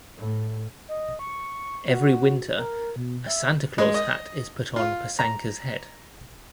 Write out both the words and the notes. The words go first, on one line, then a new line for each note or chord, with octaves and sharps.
Every winter, a Santa Claus hat is put on "Posankka"s head.
A2
D#5
C#6
F#4
A#4
B2
E5
G#3
D#5
F4
A#5